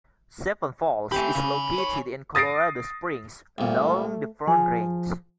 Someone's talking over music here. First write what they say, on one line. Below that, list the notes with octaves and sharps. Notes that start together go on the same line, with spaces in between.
Seven Falls is located in Colorado Springs along the Front Range.
A3 C4 G4 G#5 B5
C#3
C#5
D#6 A6 A#6 C7 D7
C2 A#2 A3
F3 G#4